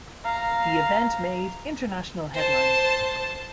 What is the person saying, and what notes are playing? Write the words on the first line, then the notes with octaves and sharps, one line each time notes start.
The event made international headlines.
F5 A#5
C5 A5